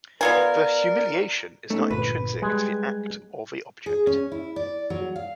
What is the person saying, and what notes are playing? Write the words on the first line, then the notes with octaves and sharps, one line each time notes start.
The "humiliation" is not intrinsic to the act or the object.
B3 F4 A#4 D5 G#5
A3 B3 C#4 D#4
G1 A#2 B4 B5
G3 G#3 G#5 F#6 G#6
G#4
C#4
E4
D5
F#3
F5